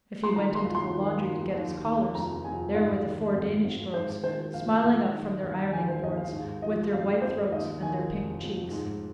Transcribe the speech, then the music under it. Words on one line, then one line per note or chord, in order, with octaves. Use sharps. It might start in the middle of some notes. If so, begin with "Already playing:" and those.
If he went into the laundry to get his collars, there were the four Danish girls, smiling up from their ironing-boards, with their white throats and their pink cheeks.
C6
D#3 A#5
C6
D#2
C6
D#3
D#2
D#2
D#3
F1 A#5
F1 G#5
G#2 F5
D#3
G#1
G#1
G#2 C5
D#3 C5
A#1 F5
A#1
D#3
D#2
D#3 G#5
C5
D#2 D#5
F5
G#2
F3 D#5
G#1 F5
G#1 C5
D#2 D#5
D#3 G#5
F1
F1
G#2